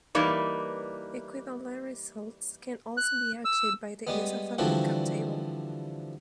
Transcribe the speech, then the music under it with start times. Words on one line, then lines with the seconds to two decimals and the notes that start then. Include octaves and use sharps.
Equivalent results can also be achieved by the use of a look-up table.
0.15 E3 G3 A#3 D#4 B4 D5
2.97 F#6
3.45 E6
4.07 G3 G#3 B3
4.58 D3 E3 F3 G3 C4 F#4